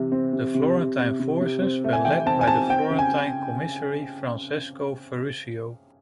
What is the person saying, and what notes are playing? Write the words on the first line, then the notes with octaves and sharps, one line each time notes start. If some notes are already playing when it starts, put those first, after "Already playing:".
The Florentine forces were led by the florentine commissary Francesco Ferruccio.
Already playing: C3 E3
C4
C3
C3
C3
C3
C3
C3
C4
A3
G#5
E3 G5
C4 A5
G#5
C4 A5
C4 G5
C#3
G#5